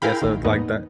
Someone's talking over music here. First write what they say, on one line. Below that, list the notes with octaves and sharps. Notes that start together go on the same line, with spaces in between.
Yes, I would like that.
E4 G#4 A#4 F5 G5 B5
A#1 D#3
E2 G#2 A#3 B3 D#4